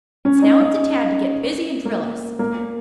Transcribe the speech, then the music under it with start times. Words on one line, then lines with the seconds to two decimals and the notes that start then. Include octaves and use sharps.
It's now up to Tad to get busy and drill us.
0.25 C#4
0.42 D#4
0.60 C#4
1.85 A#3
2.39 A#3